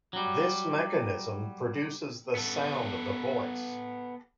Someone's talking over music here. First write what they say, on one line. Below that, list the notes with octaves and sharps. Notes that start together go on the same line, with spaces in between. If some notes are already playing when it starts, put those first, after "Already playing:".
This mechanism produces the sound of the voice.
F#3 G3
B3 A4